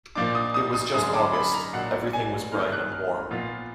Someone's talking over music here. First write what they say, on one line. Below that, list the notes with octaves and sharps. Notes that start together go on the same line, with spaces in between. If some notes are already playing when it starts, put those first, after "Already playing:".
It was just August; everything was bright and warm.
A#2 F3 A#3 D4 D6
D#6
D#6
D#6
F#2 D3 G#3 D#6
D6
B5
A#5
A#2 F#3 D4 F#5
G#5
F#2 D#3 A#3 D#4 F6
F#6
F6
A#2 F3 B3 F4